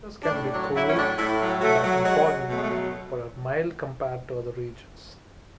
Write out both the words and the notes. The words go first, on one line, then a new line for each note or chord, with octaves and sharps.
Winters can be cool, and often foggy, but are mild compared to other regions.
D4
A2 C#4
F#3 D4
F#3 E4
C#4
A2 D4
A2 E4
F#3
F#3 A3
F#3
F#3 G#3
F#3
B2 A3
G#3
A3
F#3